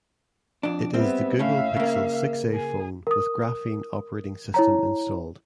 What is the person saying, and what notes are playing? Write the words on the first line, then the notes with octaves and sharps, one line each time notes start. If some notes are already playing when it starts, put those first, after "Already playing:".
It is the "Google Pixel Six A" phone with Graphene Operating System installed.
F2 D4
G3 B3 C4 E5
A2 C#4 E5 F5
C#3 A#3
G#4
A#4 D#6
E4 C#5 A#5